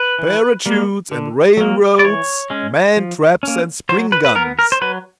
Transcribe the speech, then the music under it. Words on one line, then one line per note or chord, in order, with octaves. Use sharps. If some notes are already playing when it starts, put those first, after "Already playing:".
Parachutes and rail-roads--man-traps and spring-guns!
Already playing: B4
E3
G3 A#3
D3
F#3 A#3
D5
E3 C#5
G#3 C#4
F3
A#3 C#4
F#3 C5
B4
B4
B3 A#4
A#4
C5
F#3 B4